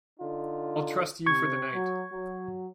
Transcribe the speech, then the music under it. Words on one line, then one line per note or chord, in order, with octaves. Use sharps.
I’ll trust you for the night.
D3 D#4 F4
C3 C#6 G#6
F#3
F#3